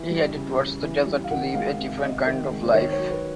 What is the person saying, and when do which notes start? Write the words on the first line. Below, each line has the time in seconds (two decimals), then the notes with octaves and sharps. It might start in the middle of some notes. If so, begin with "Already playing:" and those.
He headed towards the desert to live a different kind of life.
Already playing: E3
0.11 G3
0.34 C#3
0.58 C#3
0.82 E3
1.07 G3
1.24 F5
1.30 D#3 F#5
1.54 G#3 F5
1.79 C3
2.02 C3 D#5
2.26 D#3
2.50 G#3
2.63 C5
2.74 D#3 C#5
2.92 C#5
2.98 F#3
3.10 B4